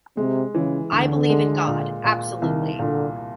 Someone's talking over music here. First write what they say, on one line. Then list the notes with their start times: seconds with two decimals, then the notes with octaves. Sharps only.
I believe in God, absolutely.
0.17 C3 G#3
0.54 C#3 E3
0.92 D2 D3
1.30 G#3
1.67 A#2
2.04 A#2
2.42 C2 D#3
2.79 A#2 D3